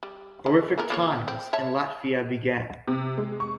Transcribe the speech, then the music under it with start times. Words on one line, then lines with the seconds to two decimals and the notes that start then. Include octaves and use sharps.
Horrific times in Latvia began.
0.03 G3
0.46 D#3
0.78 A#3 B3 A#4
0.90 A#3 F4 C#5
1.28 C4
1.53 C#5 E5 A5
2.88 C3
3.18 G#3
3.40 C#6